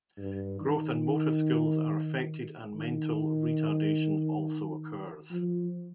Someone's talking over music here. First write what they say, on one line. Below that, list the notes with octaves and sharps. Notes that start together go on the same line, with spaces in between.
Growth and motor skills are affected, and mental retardation also occurs.
G2
D#3
D#3
F3